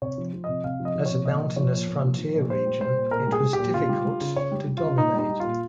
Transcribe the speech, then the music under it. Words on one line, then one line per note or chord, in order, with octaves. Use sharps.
As a mountainous frontier region, it was difficult to dominate.
C3 C#5
F3
F3
C3 D#5
C3 F5
F3
D#5
F3
C3 C#5
A#2 D#5
F3
F3 C#5
A#2
A#2
F3
F3
A#2
A#2 C5
G3
G3 C5
A#2
A#2 A#4
G3
G#4
G3
G4
A#2
C#3 F4
G3
G3
C#3
C#3 C#5
G3
G3
C#3 F4
A#2 D#4
G3 D#4
G3
A#2 F4